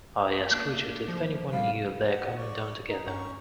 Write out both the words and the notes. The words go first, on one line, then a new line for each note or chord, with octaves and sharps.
I asked Richard if any one knew of their coming down together.
A3 A#3 D4
F3
C3 G3 F5
F#5
D5 C#6
D#4
G2 C#4 A#5 C#6